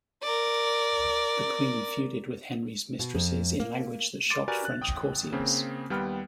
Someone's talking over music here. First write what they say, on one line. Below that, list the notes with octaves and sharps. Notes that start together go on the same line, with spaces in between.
The queen feuded with Henry's mistresses in language that shocked French courtiers.
A#4 D5
B2
F2
A#3
C6 D6 A6
F#4 G4 A#4 B4 D5 G#5
F#6
A1 G5 D#6
C#3 A#3 C4
D#2 G3 B3 B4 G5 F6